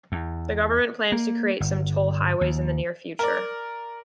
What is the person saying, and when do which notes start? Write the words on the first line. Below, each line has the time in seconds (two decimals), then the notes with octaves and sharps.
The government plans to create some toll highways in the near future.
0.12 E2
1.12 A#3
1.60 G1
2.41 D#2
3.19 A#4 D5